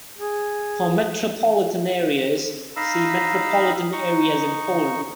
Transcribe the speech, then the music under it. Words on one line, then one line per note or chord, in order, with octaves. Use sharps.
For metropolitan areas, see "Metropolitan areas in Poland".
G#4
D#4 D#5 F5 B5 E6
D#4 C#6